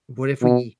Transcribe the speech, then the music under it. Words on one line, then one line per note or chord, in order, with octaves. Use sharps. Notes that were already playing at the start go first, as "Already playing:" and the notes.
what if we
B2